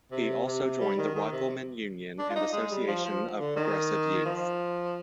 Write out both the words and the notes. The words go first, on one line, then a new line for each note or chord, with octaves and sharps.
He also joined the Riflemen Union and "Association of Progressive Youth".
C3
C3
G3
D#3
D#3
C3
D4
F4
D#4
G#3
G3
F3
F3
D3
D#3
F3